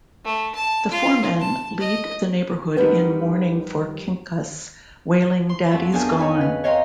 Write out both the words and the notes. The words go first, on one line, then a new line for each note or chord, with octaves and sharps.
The four men lead the neighborhood in mourning for Quincas, wailing Daddy's gone!
A3
A5
F4
A5
D#5
F2 G3 D#4 A#4 B4 F#5
C6
F2 F#3 E5
B3 D4 G#4 A#4 C5 G#5
C#5 D#5 G#5 B5
B4 F6
C#5 D#5 F5 G5 A#5 C6